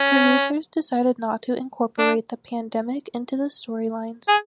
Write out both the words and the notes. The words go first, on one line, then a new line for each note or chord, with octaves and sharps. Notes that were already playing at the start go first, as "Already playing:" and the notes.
Producers decided not to incorporate the pandemic into the storylines.
Already playing: C#4
D4
G#4